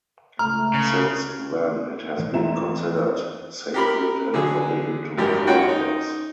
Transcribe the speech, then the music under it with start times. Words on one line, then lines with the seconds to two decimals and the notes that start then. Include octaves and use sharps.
Since then, it has been considered sacred and forbidden to climbers.
0.39 C#2 A3 A#5 F6
0.74 C#3
2.18 E3 G#3 A3
2.34 F2 C5 E5 A#5 E7
3.74 G4 A#4 B5
4.34 D3 F#3 G#4
5.17 G#1 F#2 G4 A#4
5.47 C#4 F4 F#4 C#5 F#5 G5
5.69 D#4